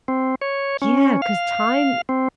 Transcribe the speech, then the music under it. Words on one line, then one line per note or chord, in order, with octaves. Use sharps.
Yeah, 'cause time
C4
C#5
C#4
F5
C4